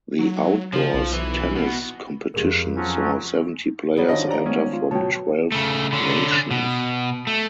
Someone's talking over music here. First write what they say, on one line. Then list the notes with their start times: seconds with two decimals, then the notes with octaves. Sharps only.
The outdoors tennis competition saw seventy players enter from twelve nations.
0.19 F#3
0.74 C#3 F3
0.94 B1
1.13 E3
1.55 B2
2.34 F2 G4 G#4 A#4
2.76 F3 F#3 C#4 F4
3.97 F#3 G3 B3
4.09 D#3 F3 D4 B4 D#5
4.28 G4 D5 A#5
4.46 G#3 A3 B3 C#4 G#4
4.73 F4
4.91 B2 F#3 C#5 G5 A5
5.52 C#3 A3
5.93 D3 C#4
6.51 B2
7.27 A3